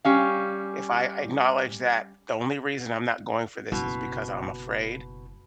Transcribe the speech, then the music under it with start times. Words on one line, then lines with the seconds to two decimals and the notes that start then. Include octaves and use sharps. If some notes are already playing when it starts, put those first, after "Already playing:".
If I acknowledge that the only reason I'm not going for this is because I'm afraid,
0.05 G3 C#4 F5
3.72 F#1 B2